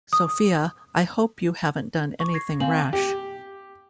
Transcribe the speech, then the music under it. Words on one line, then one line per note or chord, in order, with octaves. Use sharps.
Sophia, I hope you haven't done anything rash?
D#6
C#6 D6
G#6 A#6 C7
C4 F5 G#5 F#7
G4